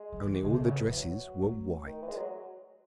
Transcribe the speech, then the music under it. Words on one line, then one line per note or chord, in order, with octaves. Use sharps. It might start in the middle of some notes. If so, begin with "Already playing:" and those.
Only all the dresses were white.
Already playing: G#3
F#3
E3
D#3
C#3 G#3
C3 A3
C#3 F#3
E3
E3 F#3
F#3
A3
D#3
E3
G#3
F#3